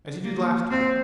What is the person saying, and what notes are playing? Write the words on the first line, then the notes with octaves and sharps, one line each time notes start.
As you did last time!
A#3
C4